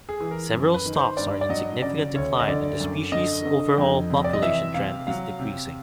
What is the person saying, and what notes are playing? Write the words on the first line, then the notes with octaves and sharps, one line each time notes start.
Several stocks are in significant decline and the species' overall population trend is decreasing.
G#4
E3
A#4
F#2
B4
D#3
C5
G2 D5
D5
F#3 D#5
C#3 D5
D2 C#5
D#5
D3 D5
F#2
D3 D#5
D3
F2
C3
D5
D#5
E3 E5
C3 F5
F#3 F5
C3